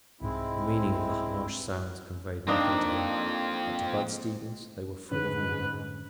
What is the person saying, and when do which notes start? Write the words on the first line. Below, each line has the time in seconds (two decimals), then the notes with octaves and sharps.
The meaning of the harsh sounds conveyed nothing to him, but to Bud Stevens they were full of meaning.
0.21 C2 G#2 G#3 C4 E4
2.48 F2 A#3 C4 D4 D#4
5.11 F2 G#2 D3 C#4 B4